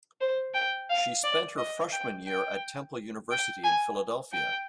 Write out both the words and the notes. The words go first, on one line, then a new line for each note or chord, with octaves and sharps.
She spent her freshman year at Temple University in Philadelphia.
C5
G5
F5
D5
D#5
G5
G5
G5
G#5
G5